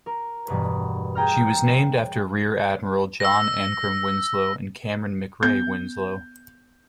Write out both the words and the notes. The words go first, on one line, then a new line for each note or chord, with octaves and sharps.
She was named after Rear Admiral John Ancrum Winslow and Cameron McRae Winslow.
A#4
E1 G2 B2 A#4 B4
G#4 G5 A#5 F6
E6 A#6
B3 G6